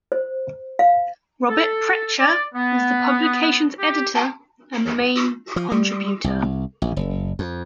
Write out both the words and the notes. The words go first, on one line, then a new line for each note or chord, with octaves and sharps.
Robert Prechter is the publication's editor and main contributor.
C5
F5
A4
D5
B3
G4
F3
G3
C2
A#1
F#1
F2